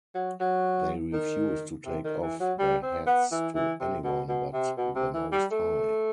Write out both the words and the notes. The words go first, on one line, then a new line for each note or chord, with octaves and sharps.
They refused to take off their hats to anyone but the Most High.
F#3
F#3
D#3
C3
D#3
E3
F#3
G3
C4
B3
E3
E3
C3
B2
B2
C3
B2
C3
E3
G3
A3